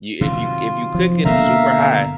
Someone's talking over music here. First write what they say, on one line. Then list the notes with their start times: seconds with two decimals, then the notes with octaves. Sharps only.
You if you c if you cook it super high,
0.21 C3 D#3 F#3 F4
0.95 F3
1.25 G1 B2 D3 A3 A#3 E5 F5 A#5